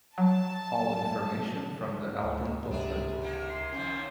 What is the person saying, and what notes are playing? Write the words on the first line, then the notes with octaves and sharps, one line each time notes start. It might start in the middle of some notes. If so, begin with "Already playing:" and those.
All information from the album booklet.
F#3 A5
D2
C#2 C3 D4 G#4
D#3 A#3
C6
D#2 C3 F3 C#4